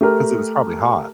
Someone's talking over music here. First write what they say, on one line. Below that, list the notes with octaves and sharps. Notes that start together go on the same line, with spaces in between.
'Cause it was probably hot.
A3 G4 A#4